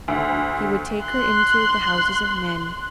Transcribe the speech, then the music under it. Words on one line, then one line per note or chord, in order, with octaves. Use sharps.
He would take her into the houses of men.
D2
C6 F#6